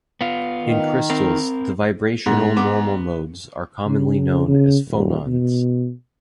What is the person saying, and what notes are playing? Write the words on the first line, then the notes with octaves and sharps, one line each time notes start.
In crystals, the vibrational normal modes are commonly known as phonons.
B3 F4
D#3
C4 A#4
G#2 B3
B3 D6
C#3
C#3
D#1
B2